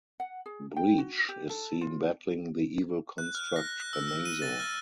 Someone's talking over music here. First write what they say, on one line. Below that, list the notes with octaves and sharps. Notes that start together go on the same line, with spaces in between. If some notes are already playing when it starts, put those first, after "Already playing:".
Breach is seen battling the evil construct Amazo.
F#5
G#4
G5
F#4
G4
A4
F4
F#6
F6
A#6
F#6
E6
E6
D#7
A6
F6